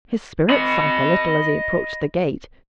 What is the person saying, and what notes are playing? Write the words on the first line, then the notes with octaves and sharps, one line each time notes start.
His spirits sank a little as he approached the gate.
D#5 B5